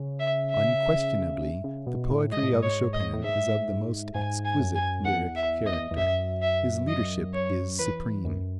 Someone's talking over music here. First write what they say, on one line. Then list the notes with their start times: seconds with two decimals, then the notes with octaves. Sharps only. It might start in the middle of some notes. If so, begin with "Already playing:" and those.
Unquestionably the poetry of Chopin is of the most exquisite lyric character, his leadership is supreme.
Already playing: C#3
0.20 E5
0.51 E5
1.64 C#3
1.87 B2
2.10 A2
2.32 G#2 D#5
2.43 A2
2.53 G#2
2.62 C#5
2.93 D#5
3.13 A2
3.24 G#2 E5
4.14 G#2 G#5
4.45 G#5
4.60 F#2
4.76 G#5
5.05 E2 F#5
5.36 E5
5.66 D#5
5.91 E2
5.97 F#2 E5
6.42 E5
6.88 D#5
7.34 C#5
7.79 E2 B4
8.25 F#2